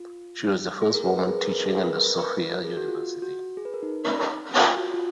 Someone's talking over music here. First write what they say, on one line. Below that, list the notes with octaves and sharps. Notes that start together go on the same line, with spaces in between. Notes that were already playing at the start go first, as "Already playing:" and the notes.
She was the first woman teaching in the Sofia University.
Already playing: F4
G#4
A#4
B4
A#4
G#4
B4
A#4
G#4
A#4
B4
A#4
B4
A#4
G#4
F#4
F4
F#4
G#4
B4
A#4
D#4
F4
F#4
F4